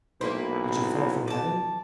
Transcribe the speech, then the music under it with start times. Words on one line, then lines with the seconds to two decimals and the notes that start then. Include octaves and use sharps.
Did you fall from heaven?
0.21 B1 A#3 E4 B4 C5
1.28 D5 A5